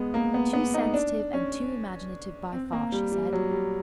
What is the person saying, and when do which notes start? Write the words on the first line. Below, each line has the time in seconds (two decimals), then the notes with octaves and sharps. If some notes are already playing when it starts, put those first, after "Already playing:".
"Too sensitive and too imaginative by far," she said.
Already playing: G#3 B3
0.14 A#3
0.34 B3
0.53 B3
0.74 D#4
0.94 D4
1.33 C#4
2.52 C4
2.72 A#3
2.92 G3
3.12 G3
3.33 F#3
3.51 G3